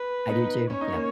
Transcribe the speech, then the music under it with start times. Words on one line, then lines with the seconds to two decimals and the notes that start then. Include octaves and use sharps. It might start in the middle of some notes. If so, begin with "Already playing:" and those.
I do too, yeah.
Already playing: B4
0.29 B3 D#4
0.70 C#4 C#5
0.81 D#4
0.93 A#3 C#4